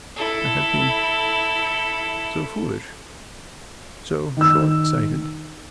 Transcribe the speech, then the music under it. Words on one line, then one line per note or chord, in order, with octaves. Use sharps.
I have been--so foolish--so short-sighted.
E4 A4
D#3 E6